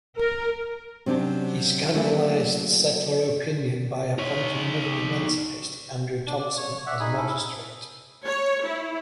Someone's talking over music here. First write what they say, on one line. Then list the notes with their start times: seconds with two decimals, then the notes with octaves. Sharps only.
He scandalised settler opinion by appointing another emancipist, Andrew Thompson, as a magistrate.
0.17 A#4
1.06 C3 F#3 C#4 D4 G4
1.94 F#3 A3 A#3 C#4 E4 G4
4.18 D#4 C#5
6.27 D4
6.39 D5
6.57 C#5
6.87 D5 E5 F#5
7.00 D#4 G#4 G#5 B5
7.17 C#4 E4 A4
8.25 C#5
8.65 E4